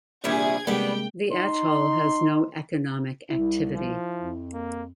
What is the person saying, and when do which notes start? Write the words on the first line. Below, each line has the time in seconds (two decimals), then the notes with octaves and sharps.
The atoll has no economic activity.
0.24 A#1 C3 D#3 G3 E4 G#4 G#6
0.67 C3 G3 G#3 A#3 B3 D4 G5
1.32 D#4 C6
3.30 C2 E4
3.75 F3
4.16 F2
4.54 A#3